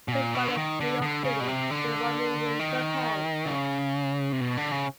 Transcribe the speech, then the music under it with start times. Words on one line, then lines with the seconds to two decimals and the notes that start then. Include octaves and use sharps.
He was born in New York City to Romanian parents.
0.08 B2
0.12 A#2
0.35 B2
0.48 D3
0.57 D#3
0.80 D3
1.02 D3
1.24 C#3
1.40 B2
1.47 C3
1.70 D3
2.59 D#3
3.45 D3
3.50 C#3
4.32 C3
4.41 B2
4.57 D3
4.72 C#3